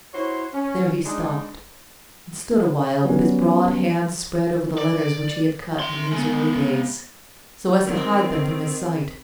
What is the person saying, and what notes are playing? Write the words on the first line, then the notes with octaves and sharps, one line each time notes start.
There he stopped and stood a while with his broad hand spread over the letters which he had cut in those early days, so as to hide them from his sight.
E4 F#4 C5 C#5
C#4
G#3 D4 D#4
F#3 G3 B3 C#4
D5
E5 C6
G#3 B3
D#3 C4